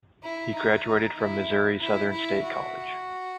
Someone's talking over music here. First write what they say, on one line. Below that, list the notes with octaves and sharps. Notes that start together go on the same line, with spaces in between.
He graduated from Missouri Southern State College.
E4
D#4
D#4
E4
E4
E4
F#4